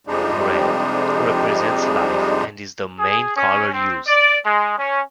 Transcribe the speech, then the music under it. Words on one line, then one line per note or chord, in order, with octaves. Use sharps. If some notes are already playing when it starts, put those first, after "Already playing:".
Red represents life and is the main color used.
F2 C3 G3 G#3 D4 D#4
G#4
C#4
C4
D5
G#3
C#4